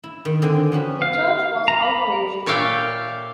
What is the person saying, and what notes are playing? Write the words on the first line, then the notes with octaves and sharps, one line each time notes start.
The church was outraged.
E4
D#3
D3 C4 G5 G#5
F3 C#4 F#4 B4
F5
A#5
B5
A#2 C#5 D5 E5 F5 G5